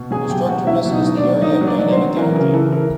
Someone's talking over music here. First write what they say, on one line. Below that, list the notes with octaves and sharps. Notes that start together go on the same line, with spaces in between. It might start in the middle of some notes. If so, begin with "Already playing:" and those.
Destructiveness is the area of dynamic energy.
Already playing: B2
F#3 G#4 G#5
B2 G4 G5
F#3 F#4 F#5
F#3 E4 E5
B2
D#4 D#5
F#3
D4 D5
F#3
F#3 D#4 D#5
F#3
D4 D5
F#3
C4 C5
F#3
E3 A#4
C#3 A#4
E3 A4
E3 A#4